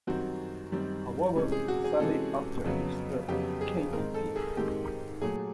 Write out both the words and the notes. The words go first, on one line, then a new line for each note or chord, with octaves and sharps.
However, the Sunday after Easter he came to tea.
F#2 D#3 G3 C4 F#4
F#2 D#3 G3 C4
C3 E3 G#3 C#4
G#4
F#4
G#4
C3 E3 G#3 C#4 A4
F2 C#3 F#3 B3
F2 C#3 F#3 B3 G4
G#4
G#2 D#3 G#3 C4 A#4
A4
G#4
G#2 D#3 G#3 C4 G4
A#2 F#3 A3 G#4